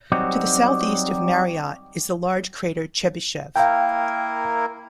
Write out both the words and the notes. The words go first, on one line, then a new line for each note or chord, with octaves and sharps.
To the southeast of Mariotte is the large crater Chebyshev.
F#3 G3 C4 D#4 F#4 G4
A#3 E4 A#4 F5 G5